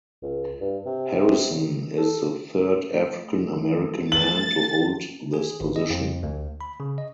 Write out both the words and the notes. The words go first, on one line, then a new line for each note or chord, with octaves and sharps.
Harrison is the third African American man to hold this position.
C#2
G2
C3
A4
A3
A6 F#7
G#4
G#1
D#5
F2
D2
B5
C#3
D#5